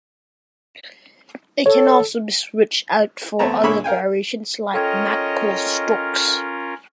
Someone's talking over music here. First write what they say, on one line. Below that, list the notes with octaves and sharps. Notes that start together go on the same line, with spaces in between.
It can also be switched out for other variations like Magpul stocks.
A4 C#5
E2 A3 B3 C4 A5 A#5
A#2 D3 G#4 C#5 E5 B5
A#4 F5 G5 G#5
C#4 F4 A4 A#4 C#5 D#5 G5 G#6